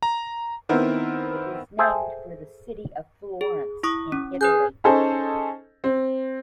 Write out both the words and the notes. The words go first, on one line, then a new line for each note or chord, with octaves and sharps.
It was named for the city of Florence in Italy.
A#5
D#3 B3 C4 E4 A#4
G#4 A4 C5 E5 G5
G#4
E4 C#6 D#6
C#4
G#4 B4 F#6 G6
C#4 D#4 G#4 A4 C5
C4